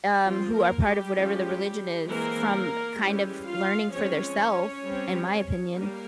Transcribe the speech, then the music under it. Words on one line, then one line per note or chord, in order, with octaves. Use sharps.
um, who are part of whatever the religion is from kind of learning for their self, in my opinion.
F3 C4 F4
A#3 A#4
G3 G4
F3 G#3 C#4
E3 G#3 A#3 C4 A#4
E3 G3 G#3 C#4 G4
F4 F5
F3 G#3 C4 C#4 C#5
G3 C4
G3 A#3 A#4